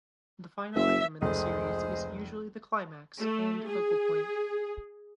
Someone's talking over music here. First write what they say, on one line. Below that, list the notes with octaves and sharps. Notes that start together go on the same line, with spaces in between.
The final item in the series is usually the climax and focal point.
F#1 E5
F1 C#2 G#4 C5 D#5
A3
G#4